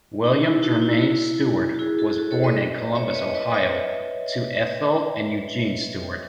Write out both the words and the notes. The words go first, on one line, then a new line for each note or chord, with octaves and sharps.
William Jermaine Stewart was born in Columbus, Ohio, to Ethel and Eugene Stewart.
D#4
E4
D#4 F#4
E4
E4
F#4
E4 G#4
F#4 A4
F#4 A4
A4 C#5
B4 D#5
C#5 E5
C#5
B4 D#5
B4 D#5
C#5 E5